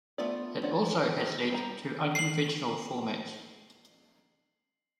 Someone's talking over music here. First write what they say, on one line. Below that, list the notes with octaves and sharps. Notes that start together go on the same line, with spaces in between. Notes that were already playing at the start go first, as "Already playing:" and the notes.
It also has led to unconventional formats.
A3 B3 F4 D5
D4 F4 C#5 D5 F#5
D#3 G#4
G3 B4 A#5
C7 F#7